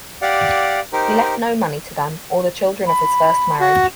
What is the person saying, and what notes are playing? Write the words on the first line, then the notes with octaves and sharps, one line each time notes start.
He left no money to them or the children of his first marriage.
G4 D5 F5 F#5
D#4 G4 A#4 C5
B5
F#4